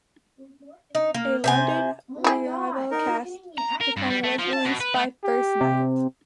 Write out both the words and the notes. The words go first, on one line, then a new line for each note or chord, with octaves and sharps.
A London revival cast recording was released by First Night.
D#4
A#3
C3 C5 G#5
E4 G#4
D#4 A#4
A#5
A#4
G2
G3
A3
F3
A5
B2
B4
A3
G4
C3